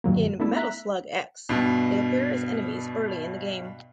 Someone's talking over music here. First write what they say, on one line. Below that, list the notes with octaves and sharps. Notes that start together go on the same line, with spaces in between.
In "Metal Slug X" they appear as enemies early in the game.
G2 D#3 F#3 A#3
A3 B3 D4 E4 A4
E5 A#5 F#6 B6
G2 B2